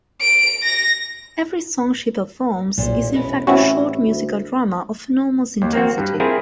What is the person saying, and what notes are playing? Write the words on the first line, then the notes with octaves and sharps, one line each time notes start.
Every song she performs is in fact a short musical drama of enormous intensity.
D7
A#6
E1 B1 A#2
B2 B3 C#4
A1 C4 C#4 E4 F#4
D2
D#2
A#3 C4 F#4
G2
C4 E4 F4 G#4 A#4